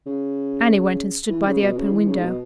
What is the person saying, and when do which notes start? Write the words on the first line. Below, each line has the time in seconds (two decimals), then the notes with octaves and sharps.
Annie went and stood by the open window.
0.06 C#3
1.30 E3
1.47 C#3
1.62 B2
1.77 C#3
1.92 E3
2.08 C#3
2.17 G#2
2.24 B2